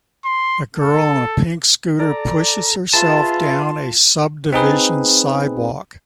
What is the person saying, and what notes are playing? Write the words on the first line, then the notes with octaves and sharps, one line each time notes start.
A girl on a pink scooter pushes herself down a subdivsion sidewalk.
C6
A4
A4 D5 A#5
F4 G#4 B4 E5 A5 C6
C4 D#4 G#4 B4